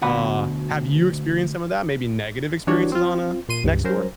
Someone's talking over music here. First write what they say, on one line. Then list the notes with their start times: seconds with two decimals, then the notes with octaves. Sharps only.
Uh, have you experienced some of that, maybe negative experiences on, uh, Nextdoor?
0.02 D2 B2 F#5 B5
2.67 E3 G3 D4 F#4 C#5
2.92 C4 F4
3.49 A#2 C6 D#7
3.64 C#2 G2
3.84 F#3 C#4 A#4 C5